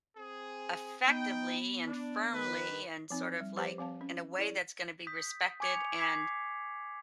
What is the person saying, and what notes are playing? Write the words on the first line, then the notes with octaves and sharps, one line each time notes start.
effectively and firmly, and sort of, like, in a way that's gonna be respected, and
C4 G#4
B3 D#4 G5
D4
D#3 B4
F3 C4 D#4
G3
F3 G4 B4 C5
F3 C4 F5 A5
C#4
E4 G#4 C#5 D5
D#6 G6 B6
G#5 C#6 D6 G#6 C#7 F7
D6 G#6 B6 C7